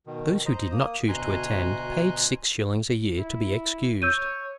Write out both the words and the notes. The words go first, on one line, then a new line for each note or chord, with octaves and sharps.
Those who did not choose to attend paid six shillings a year to be excused.
B2 D#3
C5 D#5 A#5
A#3 D#6
D2 B2 G#5 A#5 C6 F#6
E4
C#5 E6 G6 D#7